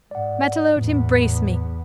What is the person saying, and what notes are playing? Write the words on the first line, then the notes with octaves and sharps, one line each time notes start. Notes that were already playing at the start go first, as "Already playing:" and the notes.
Matelote, embrace me!
G#2 D5 F#5
E2 A2 B3